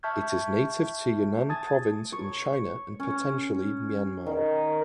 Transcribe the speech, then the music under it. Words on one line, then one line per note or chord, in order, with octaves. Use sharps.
It is native to Yunnan Province in China and potentially Myanmar.
E5 A5 C#6 F6 G6 G#6
G#5 A5 D#6 G#6 A6
C#5
C#4
D#3